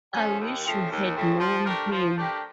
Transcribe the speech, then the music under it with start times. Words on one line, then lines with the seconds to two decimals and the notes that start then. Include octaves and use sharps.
I wish you had known him.
0.15 F3 A3 C#4
0.40 D#2
0.65 C#3 F3 A3 C4
0.91 D#2
1.15 C#3 F3 A3 C4
1.40 F3
1.66 A3 D4 G4 A#4
1.91 F3
2.16 A3 D4 G4 A#4